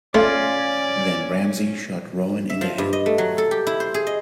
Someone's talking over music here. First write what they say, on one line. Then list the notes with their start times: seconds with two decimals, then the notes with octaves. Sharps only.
Then Ramsey shot Roan in the head.
0.15 A3 C#4 F4 D5
2.50 E5
2.61 F3
2.78 G2
2.93 D#5
3.06 A3
3.18 F#3
3.38 A4
3.51 G4
3.67 E4
3.80 C5
3.94 G#4
4.07 D#5